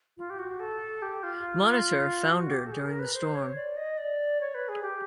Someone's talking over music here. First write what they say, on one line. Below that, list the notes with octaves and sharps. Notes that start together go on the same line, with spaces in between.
"Monitor" foundered during the storm.
F4
G4
F#4
A4
G4
F4
F#4
G4
A4
G#4
A#4
B4
C5
C#5
D5
D#5
D5
C#5
B4
G#4
G4